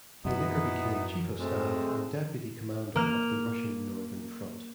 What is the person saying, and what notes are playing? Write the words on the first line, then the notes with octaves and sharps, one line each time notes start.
He later became chief of staff and deputy commander of the Russian Northern Front.
F#2 B3 D#4 E4
G#3 A3 C4
A#3 F6